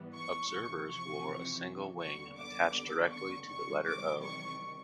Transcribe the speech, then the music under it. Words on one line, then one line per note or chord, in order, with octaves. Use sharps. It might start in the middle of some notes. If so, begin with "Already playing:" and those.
Observers wore a single wing attached directly to the letter "O".
Already playing: G#2 E3 G3 B3
C#6
F2 C3 E3
C#6
D#2 D3 G3 B3 C#6
D6
C#6
E2 C3 D#3 G3 C#6
D6
C#6